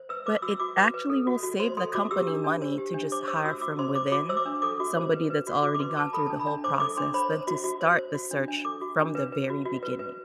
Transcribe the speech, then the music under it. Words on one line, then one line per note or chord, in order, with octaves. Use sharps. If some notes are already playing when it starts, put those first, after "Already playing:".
but it actually will save the company money to just hire from within, somebody that's already gone through the whole process than to start the search from the very beginning,
Already playing: C5
B4 E6
B4 D6
F#4 E6
F#4 D6
B4
B4
A4
F#4
F#4
C5 C6
A4 C6
F#4 D6
G4 E6
D4
D4
C5
G4
D4
C5 D6
C5 E6
F#4 E6
F#4 D6
C5 C6
C5 D6
F#4 D6
C5 E6
D6
D4
A4 D6
F#4
C5
B4
B4
F#4
F#4 D6
D6
B4 C6
B4 A5
A4 B5
D4 A5
B5
D4
C5 D6
A4 D6
D4 C6
C5 B5
C5
F#4
F#4
C5
C5
F#4
D4
D4
A4 D6
F#4
D4
B4
B4
F#4
F#4
B4
B4